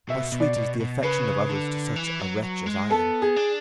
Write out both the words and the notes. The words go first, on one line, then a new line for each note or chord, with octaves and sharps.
How sweet is the affection of others to such a wretch as I am!
B2 E5
B2
D5
B2
B2
C#3 B4
D3
E3
F#3
F#3
G#3
B3 A4
G#4
D4